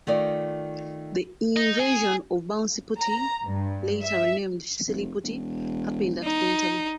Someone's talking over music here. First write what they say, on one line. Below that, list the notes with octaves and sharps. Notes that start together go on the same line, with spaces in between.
The invention of Bouncy Putty, later renamed Silly Putty, happened accidentally.
D#3 A3 F4 D5
D#4
G#4
A#5
G2
E5
F1
E1
D#4